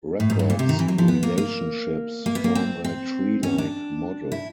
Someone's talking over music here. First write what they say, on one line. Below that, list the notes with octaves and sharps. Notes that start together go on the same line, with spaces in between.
Records' relationships form a treelike model.
A2
G#2
G2
A#2
C3
D#3
E3
F#3
F3
B3
A#3
A#3
A#3
B3
A#3
C4
C4
C#4
D4
E4